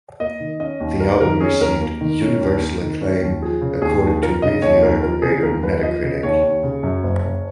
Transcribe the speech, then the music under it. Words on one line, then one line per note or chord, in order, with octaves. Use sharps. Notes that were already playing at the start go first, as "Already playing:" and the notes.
The album received "universal acclaim" according to review aggregator Metacritic.
A#3 D#5
D#3
C#4 D#5
D#2
A#3 A#4
D#3 A#4
C#4 G#4
D#2 A#4
A#3
D#3
C#4
D#2
A#3
D#3
C#4
D#2
F3 G#4
C#3
D#2 G#4
D#2
F3 A#4
C#3 D#5
D#2 C#5
D#2 A#4
F3 A#4
C#3 G#4
D#2 A#4
D#2 B4
F3 D#5
C#3
D#2 C#5
D#2
C#3
F#2
F#1
F#1